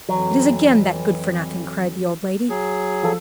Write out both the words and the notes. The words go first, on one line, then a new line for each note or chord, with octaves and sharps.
"It is again that good-for-nothing!" cried the old lady.
F2 E3 F#3
F#3 G#4
F3 A4